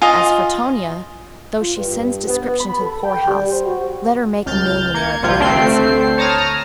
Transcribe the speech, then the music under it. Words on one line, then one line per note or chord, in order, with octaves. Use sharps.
As for Tonia, though she sends description to the poorhouse, let her make a millionaire of your fancy.
F4 D#5 G#5
F4
G2
B3
B5
A4
G5
G3
C5
F#4
C#2 F6 G6 A6
A#3 G#6 C#7
A#1 C3 G3 F4 G6 G#6
D2 A3 C4 G5 C7
C#5 A5 A#5 D#6 F6